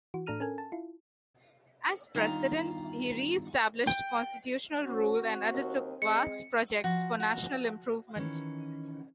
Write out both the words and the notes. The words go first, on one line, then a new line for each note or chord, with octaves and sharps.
As president, he re-established constitutional rule and undertook vast projects for national improvement.
E3 F#4
A2 D4 A4 A#5 F6 D#7
C#4 A4 A#4 G#5
A5
E4 F4
E2 G2 D#3 F4 A#5
G5
C#4 F#4 C5 C#5
C4
D#2
G#3 C#7
F3 F#4
F#4
D#3 E3 C#4